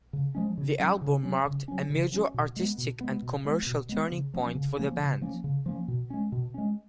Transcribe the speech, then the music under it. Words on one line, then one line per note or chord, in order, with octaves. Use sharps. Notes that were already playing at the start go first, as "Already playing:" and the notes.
The album marked a major artistic and commercial turning point for the band.
C#3
F3 G#3 C#4
C#3
F#3 C#4
C#3
F#3 C#4
C#3
F#3 C#4
C#3
F#3 C#4
B2
G#3 B3
B2
G#3 B3
B2
G#3 B3
B2
G#3 B3
C#3
F3 A#3 C#4
C#3
F3 A#3 C#4
C#3
F3 A#3 C#4
C#3
F3 A#3 C#4
B2
G#3 C#4
B2
G#3 C#4